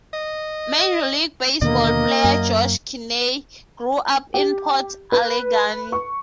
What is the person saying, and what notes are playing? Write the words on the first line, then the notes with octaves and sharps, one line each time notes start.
Major League Baseball player Josh Kinney grew up in Port Allegany.
D#5
D#2 B2 D3 A#3 D#5
F#2
G4
B4
C#6